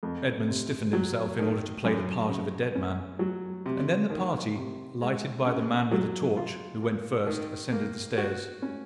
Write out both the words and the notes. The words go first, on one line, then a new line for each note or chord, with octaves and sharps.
Edmond stiffened himself in order to play the part of a dead man, and then the party, lighted by the man with the torch, who went first, ascended the stairs.
F2
C3
F#3
D#3
F#2
C#3
C#4
F#3
C3
D#3
C3
G#3
C#3
F#3
F4
A#3
D#3
A#3
F#4
C#4